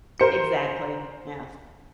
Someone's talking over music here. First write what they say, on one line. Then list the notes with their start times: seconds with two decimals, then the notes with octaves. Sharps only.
Exactly, yes.
0.20 A#4 C5 C#7